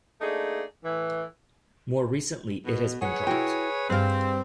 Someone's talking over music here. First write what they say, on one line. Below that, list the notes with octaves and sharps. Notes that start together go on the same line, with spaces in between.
More recently it has been dropped.
A3 A#3 D4 D#4 G#4
A2 E3
B2
G#4 B4 C#5 F#5
E4 F#4 G5
G2 G3 C4 G#4 F5